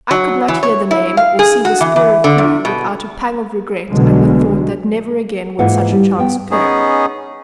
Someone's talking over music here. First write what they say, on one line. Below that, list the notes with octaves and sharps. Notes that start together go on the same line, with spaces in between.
I could not hear the name or see the spoor of koodoo without a pang of regret and the thought that never again would such a chance occur.
F#3
E3
C#5
E4
F5
G#4
F#4
E3
E3
D3
E2
B2
B1 B2 D3 F#3 G#3
G#2 E3 A#3 F4 B4 F#5
G3
B3 G5
B3 C#4 D#4 G#4